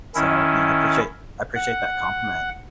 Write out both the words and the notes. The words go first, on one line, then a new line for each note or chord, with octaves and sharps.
so, you know, I appreciate I appreciate that compliment.
D#3 C#4 E4
F#5